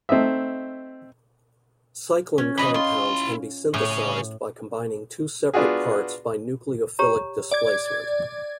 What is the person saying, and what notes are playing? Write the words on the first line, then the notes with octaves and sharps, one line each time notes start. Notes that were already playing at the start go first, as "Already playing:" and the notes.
Cyclen compounds can be synthesized by combining two separate parts by nucleophilic displacement.
A3 C4 D#4 D#5 E5
C#4
E3 B4 D#5 B5
E4 F4 C6
A2 C#3 C#5
B3 D4 F4 F#4 G#4
G4 C#5 A#5
D5 G#6